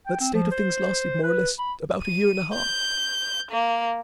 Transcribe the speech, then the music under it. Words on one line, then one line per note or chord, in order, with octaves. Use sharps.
That state of things lasted, more or less, about a year and a half.
G5
C4
F3
C5
B4
B5
D#7
G6
A#3